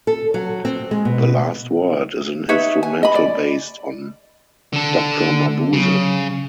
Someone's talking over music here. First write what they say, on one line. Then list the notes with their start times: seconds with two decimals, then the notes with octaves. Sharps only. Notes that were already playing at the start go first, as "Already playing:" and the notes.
"The Last Word" is an instrumental based on "Doctor Mabuse".
0.07 A4
0.34 F#3
0.65 C4
0.91 G#3
1.05 B2
2.49 D#4 B4 C#5 E5
2.83 G#5
3.03 D#5 B5
3.15 D5
4.73 D3 A4
5.73 C#3 F#3